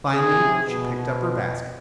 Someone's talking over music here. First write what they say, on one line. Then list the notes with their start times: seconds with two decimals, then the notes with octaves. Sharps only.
Finally she picked up her basket.
0.14 C3 G#4
0.66 B2